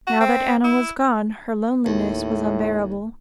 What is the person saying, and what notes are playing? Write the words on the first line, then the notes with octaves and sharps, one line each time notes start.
Now that Anna was gone, her loneliness was unbearable.
F#4
C4
E4
D#2 A2